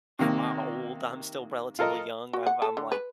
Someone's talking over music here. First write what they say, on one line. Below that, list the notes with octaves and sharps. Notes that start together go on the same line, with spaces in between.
I'm not old, I'm still relatively young, I'm I'm, like,
C3 D#3 A#3
F4 A4 A#4 D#5
F#4
F#5
A4
D3
B4